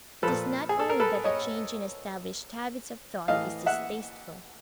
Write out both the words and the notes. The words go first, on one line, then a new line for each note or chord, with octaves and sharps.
It is not only that a change in established habits of thought is distasteful.
A#2 F3 A4 B4
G#4
A4
A#4
A4 B4
C#5 D#5
A2 E3 D#5 F5
E5 F#5